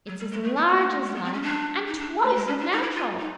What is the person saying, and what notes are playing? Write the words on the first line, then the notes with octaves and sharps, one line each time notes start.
It's as large as life, and twice as natural!'
F#3
G3
G#3
A3
B3
B3
A#3
A3
G#3
B3
C4
C#4
D4
D#4
D4
A3
G#3
C#4
D4
D#4
E4
F4
D#4